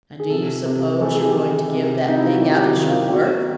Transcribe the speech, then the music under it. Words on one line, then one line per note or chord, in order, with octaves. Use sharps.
'And do you suppose you're going to give that thing out as your work?'
G#4
C3 A4
C3
E3 A4
G#4
G4
E3
G#4
C3
C3 D#4
E4
F4
F#4
D#3 G4
G4
F#4
D#3
F4
G4
B2 F#4